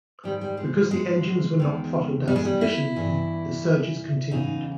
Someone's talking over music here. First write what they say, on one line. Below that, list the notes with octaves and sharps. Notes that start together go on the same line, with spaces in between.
Because the engines were not throttled down sufficiently, the surges continued.
G#2 D#3 G3
G3
G#3
G#3
E2 D#3
G3
G#3
G3
E4
G2 E3
E2 C#3 E3 D#4